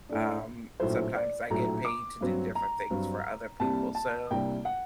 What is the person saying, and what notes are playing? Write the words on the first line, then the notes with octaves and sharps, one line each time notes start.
um, sometimes I get paid to do different things for other people, so,
A2 A3 D4
A#1 A2 F#3 A3 C5
D5
A#1 A2 F#3 A3 A#5
D6
G2 F#3 C4
A#5
G2 F#3 C4
C2 C3 G3 A#3 D4 A5
A5
C2 C3 G3 A#3 D4 G5
F#5